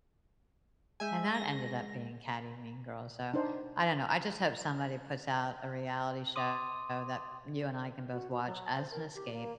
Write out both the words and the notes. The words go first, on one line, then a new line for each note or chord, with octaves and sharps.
and that ended up being catty, mean girls, so I don't know, I just hope somebody puts out a reality show that you and I can both watch as an escape
G#3 E5 G#5 G6
A#6
D4 D#4 C5
C6 D6 D#6 D#7
F#4
F#4
F#3
C5
A#4
G4
A#3